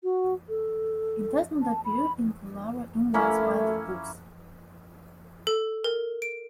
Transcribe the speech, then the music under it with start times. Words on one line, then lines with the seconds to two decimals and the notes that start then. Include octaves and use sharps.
It does not appear in the Laura Ingalls Wilder books.
0.04 F#4
0.49 A4
1.62 A5
1.85 B5
3.14 A3 A#3 C#4 E4
5.47 A4
5.84 A#4
6.22 D7